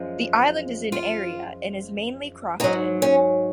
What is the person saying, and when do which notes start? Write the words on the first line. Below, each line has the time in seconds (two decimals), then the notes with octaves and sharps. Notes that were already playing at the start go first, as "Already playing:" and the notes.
The island is in area and is mainly crofted.
Already playing: F#2 F3 G#3
0.92 F4
2.60 G#2 F#3 D#4
3.02 C#4